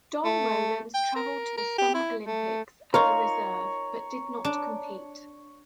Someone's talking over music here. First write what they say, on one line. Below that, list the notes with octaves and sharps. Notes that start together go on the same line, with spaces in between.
Don Rowlands travelled to the Summer Olympics as a reserve butdid not compete.
A3
G5
A#4
A#4
G4
E4
A3
D#4 F4 A#4 C#5 A#5
D4